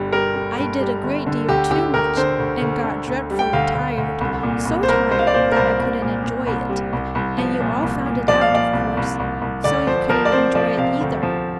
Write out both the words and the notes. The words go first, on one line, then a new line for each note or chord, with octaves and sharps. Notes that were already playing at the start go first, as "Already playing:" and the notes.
I did a great deal too much and got dreadfully tired, so tired that I couldn't enjoy it, and you all found it out of course, so you couldn't enjoy it either.
Already playing: G1 G2 D3 G3
G3 A#4
G3
G2
G3
G1
D3
D2 G4
D3 G4
D2 A#4
D3 C5
D2
D2
D3
D2
G3
G5
D2 F5
D2
D2
C2
A#2
C2
C5
C2 A#4
C2 C5
F5
D5
A#2 C5
A#4
C2 C5
C2
A#2
A#2
C2
G3
C2
C2
F3
A#2
C2
A#2
F3 D5
F5
A#2 D5
C2
C2
C2
C2
D2 D5
F3 C5
F3 A#4
D5
C4 C5
F3 D5
C3 F5
D2
F3